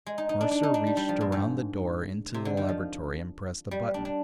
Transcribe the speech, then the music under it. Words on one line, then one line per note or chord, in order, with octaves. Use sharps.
Mercer reached around the door into the laboratory and pressed a button.
G#3
D#4
D#4
D4
D4
D#4
D4
G3
G3
F3
A#2
G#2
C3
D3
D#3
F3
G3
D4
D4